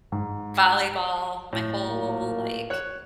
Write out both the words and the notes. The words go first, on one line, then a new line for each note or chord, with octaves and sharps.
volleyball my whole, like,
G#2
A2
A#2 F#3 A#3
C#5 F#6